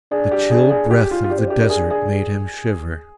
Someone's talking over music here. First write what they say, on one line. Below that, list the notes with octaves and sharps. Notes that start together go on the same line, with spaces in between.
The chill breath of the Desert made him shiver.
D4 G#4
G4
G#4
G#4
G4
F4
F4
D4 G4
C4
D4 G4
A#4
G#4
G#4